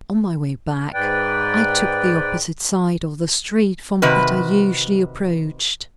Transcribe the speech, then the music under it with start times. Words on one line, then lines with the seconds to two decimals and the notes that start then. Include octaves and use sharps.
On my way back I took the opposite side of the street from that I usually approached.
0.94 G#2 B4 D5 G5
4.02 C3 D#3 F#4 B4